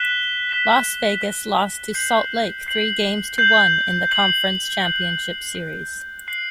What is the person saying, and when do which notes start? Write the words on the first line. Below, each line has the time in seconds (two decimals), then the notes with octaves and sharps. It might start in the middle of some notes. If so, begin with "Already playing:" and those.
Las Vegas lost to Salt Lake three-games-to-one in the Conference Championship Series.
Already playing: F#6 B6 E7 G7
0.49 F#6 B6 E7 G7
1.22 F#6 B6 E7 G7
1.94 G6 C7 F#7
2.67 G6 C7 F#7
3.38 G6 C7 F#7
4.11 G6 C7 F#7
4.84 F#6 C7 F#7
5.55 F#6 C7 F#7
6.27 F#6 C7 F#7